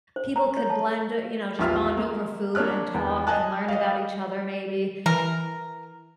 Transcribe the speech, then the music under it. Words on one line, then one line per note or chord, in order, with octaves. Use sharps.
people could blend you know, just bond over food and talk and learn about each other maybe
C5
A#5
C#5
A5
A#1 E2 G3 F4 E5 F6
A#3
A#3 D4 C#5 F6 F#6
E2
D#5 G#5 A5 F#6
D#5 F5
E3 A#4